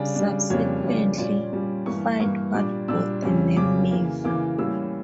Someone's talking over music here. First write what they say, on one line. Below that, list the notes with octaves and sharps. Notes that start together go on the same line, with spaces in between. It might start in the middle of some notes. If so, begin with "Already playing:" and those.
Subsequently, FindWhat bought the name Miva.
Already playing: C#3 G3 D4 D5
C#3 G3 D4
F2 C#3 G3 A#3 D4 C#5
F2 C#3 G3 A#3 D4 C#5
A#2 G3 C#4 D5
A#2 G3 C#4
G2 E3 A#3 C#6
G2 E3 A#3 C#6
A#2 G3 D4 D6
A#2 G3 D4 E6
F2 C#3 G3 C#4
F2 C#3 G3 C#4 D6
C#3 E3 A#3
C#3 E3 A#3 D6
A2 E3 G3 A#3 C#4 E6